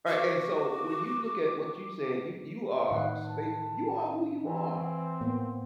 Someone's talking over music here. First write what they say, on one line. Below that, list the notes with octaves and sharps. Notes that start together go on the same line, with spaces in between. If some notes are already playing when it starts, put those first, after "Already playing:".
Right, and so, when you look at what you said, you you are space you are who you are.
F#4 D6
A2 D#3 B4 F#5
A5
E3 C4
A2 A#3 B3